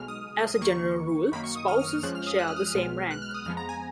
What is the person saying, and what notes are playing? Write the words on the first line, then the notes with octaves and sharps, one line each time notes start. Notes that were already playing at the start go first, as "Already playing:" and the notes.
As a general rule, spouses share the same rank.
Already playing: B1 B2 G#3 F6
D#6
D#6
D#2 D#3 A#3 C#6
F#2 D#3 A#3 B5
C#6
D#6
F6
F6
F6
F2 F3 G#3 C#4 F#6
F6
D#6
F#6
F6
D#6
F6
B1 B2 G#3 B3
F#6
F6
D#6
F2 F3 G#3 B3 F6
A#5
G#5